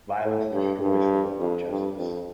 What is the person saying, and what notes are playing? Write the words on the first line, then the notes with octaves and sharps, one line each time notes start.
Violence destroys the work of justice.
A2
G2
G2
F2
G2
F2